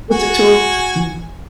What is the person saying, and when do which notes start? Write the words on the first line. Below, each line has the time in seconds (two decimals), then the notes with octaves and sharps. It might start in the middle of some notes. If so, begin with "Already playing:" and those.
It's a tool, mm
0.11 F#4 G#5